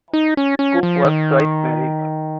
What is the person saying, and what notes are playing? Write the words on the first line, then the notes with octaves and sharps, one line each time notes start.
Cook was twice married.
D#4
C#4
C#4
F3
D#3